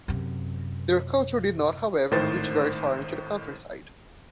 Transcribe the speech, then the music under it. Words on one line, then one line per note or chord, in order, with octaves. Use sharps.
Their culture did not, however, reach very far into the countryside.
F#2 C3
G#1 A2 D#3 C5 A6